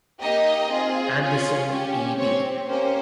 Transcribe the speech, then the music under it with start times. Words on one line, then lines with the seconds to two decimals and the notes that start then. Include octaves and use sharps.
Andersen, E. B.
0.21 A#3 D#4 G4 D#5
0.70 C4 F4 G#4
1.20 C#4 F4 G#4
1.69 C#4 G4
2.18 C4 G4 C#5
2.68 A#3 C#4 G4 C5